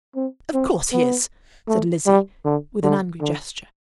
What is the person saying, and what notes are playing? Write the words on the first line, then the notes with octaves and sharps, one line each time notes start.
"Of course he is," said Lizzie, with an angry gesture.
C4
C4
B3
A3
G3
D3
D3
D3